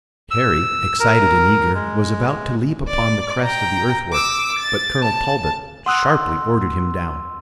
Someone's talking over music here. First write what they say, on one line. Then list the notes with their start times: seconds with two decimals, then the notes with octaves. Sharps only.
Harry, excited and eager, was about to leap upon the crest of the earthwork, but Colonel Talbot sharply ordered him down.
0.31 E6
1.00 A#4
1.75 G#3
2.88 D5
3.43 G5 A#5
4.13 D6 E6
4.59 A6
5.03 A5
5.86 F#5 C6 D#6 E6 F#6